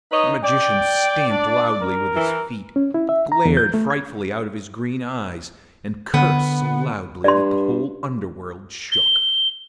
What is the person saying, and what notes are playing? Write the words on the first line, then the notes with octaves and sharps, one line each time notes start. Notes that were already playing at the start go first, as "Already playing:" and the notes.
The Magician stamped loudly with his feet, glared frightfully out of his green eyes, and cursed so loudly that the whole underworld shook.
D#4 B4 C#5 D#5
D5 G5
D4
A#4
E3
C#4
E4
E5
A#5
E2
G6
A3
G#6
D3 B3
G2 D5 C6
G7